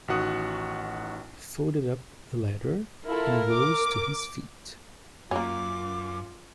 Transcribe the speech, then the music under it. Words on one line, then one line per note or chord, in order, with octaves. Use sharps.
He folded up the letter, and rose to his feet.
A1 D#3 F#4 F#5 D#6
E4 F4 A4 A#4
D6
F#2 A#3 C#4 F4 D6